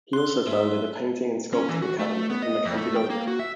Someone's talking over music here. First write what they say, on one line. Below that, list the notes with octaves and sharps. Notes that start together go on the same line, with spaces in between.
He also founded a painting and sculpting academy in the Campidoglio.
C6 F#6 G7
G#2 G#4 C5 E5
C#4
E3
F#4
A3
B3
D#5
F2
A3
G5
A#3
F#4
E5